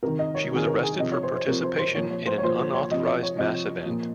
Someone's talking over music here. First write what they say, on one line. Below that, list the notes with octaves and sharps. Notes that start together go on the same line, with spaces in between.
She was arrested for "participation in an unauthorized mass event".
C3 D#3 A#4
D#5
C#5
C3 D#3 G#4
A#4
G#4
C3 F3 D#5
C#5
C5
C5
C3 F3 A#4
C5
C5
A#2 F3 C#5
C#5
C5
C#5
A#2 F3 C5
C5
C#5
C3 F3 D#5
D#5
C#5
C3 F3 D#5
A#2 F3